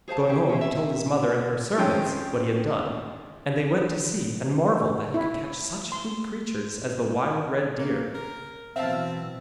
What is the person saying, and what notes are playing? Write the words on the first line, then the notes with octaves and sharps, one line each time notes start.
Going home, he told his mother and her servants what he had done, and they went to see, and marvelled that he could catch such fleet creatures as the wild red deer.
G#4 C5 F5 A5
G4 G#4 C5 G5
C#4 E4 C5
E5
D#3 F3 G#3 C4 C#4 G5
E4
C6
A#3
A#4
B2 E3 F#3 C4 E5 F5 A5